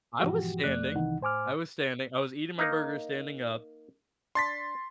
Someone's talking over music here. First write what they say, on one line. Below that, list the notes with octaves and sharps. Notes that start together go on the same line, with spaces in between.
I was standing I was standing I was eating my burger standing up.
G#2 B2 E3 F3 F#4 G4
F2 A3 D5 F#6
C2 C3 D#3 E3 D#4 F#5
A2 C5 G#5 D6 F6
A#3 D#4
D4 C6 A6 B6